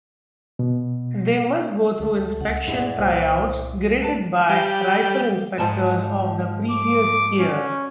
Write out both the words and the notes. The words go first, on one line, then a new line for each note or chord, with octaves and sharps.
They must go through inspection tryouts graded by rifle inspectors of the previous year.
B2
D2 A3
C#2 F#5
G2 A#2 G#3 E4
C2 C4
F2 A3 B4 A5
G3
G#2 F3 A5
D6
C#4